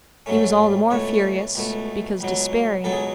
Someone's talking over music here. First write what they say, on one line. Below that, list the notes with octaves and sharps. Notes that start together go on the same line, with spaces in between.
He was all the more furious, because despairing.
G#2 F#3 A3 C#4
C#2 B2 A3 C#5
C#2 B2 A3
C#2 B2 F#3
C#2 B2 F#3 A4
G#4